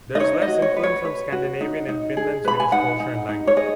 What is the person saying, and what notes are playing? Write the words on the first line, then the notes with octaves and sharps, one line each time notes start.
There is less influence from Scandinavian and Finland-Swedish culture and language.
D#5
D#4 C#5
D#5
F#4
C#5
B4
C#5
B4
F#4
D#4
D#4
G#4
B4 B5
G#5
D#4 F#5
D#4
D#4
C#5
G#4 D#5